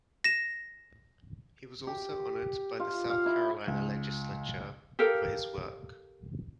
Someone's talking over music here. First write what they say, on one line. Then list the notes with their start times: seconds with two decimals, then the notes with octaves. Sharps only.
He was also honored by the South Carolina Legislature for his work.
0.24 A#6 E7
1.87 G4
2.80 F4
3.10 F5
3.26 E4
3.68 C#2
4.99 G4 A4 A#4 F5